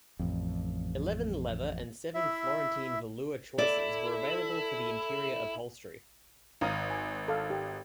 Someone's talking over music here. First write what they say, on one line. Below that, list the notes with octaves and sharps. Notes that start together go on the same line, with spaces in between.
Eleven leather and seven Florentine velour choices were available for the interior upholstery.
A1 F2
E4 E5
E4 A4 D5
G#1 F5 A#5 D#6
G#5
A4 F5
G4